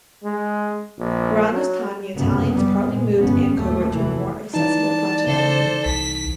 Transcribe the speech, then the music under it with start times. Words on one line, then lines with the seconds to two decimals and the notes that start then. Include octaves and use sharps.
Around this time the Italians partly moved Ankober to a more accessible plateau.
0.24 G#3
0.98 A#1
1.53 F#3
2.17 G1 C2 F#2 C#3 A#3 B3
2.53 G3 B3
2.84 A#2 G#3
3.17 G1 F2 B3 C#4
3.57 D#2 A2 G3 A3
3.91 F1 E3 A3
4.54 E3 D#4 D5 A5
5.27 C#3 A4 C5
5.85 C2 B6